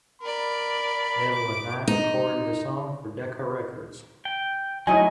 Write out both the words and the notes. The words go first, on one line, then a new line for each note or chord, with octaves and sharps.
Evelyn Knight recorded the song for Decca Records.
A#4 D5 B5
D6
D#4
G5
F#3 G#3 A3 D#4 E4 C#5 D#5 G#5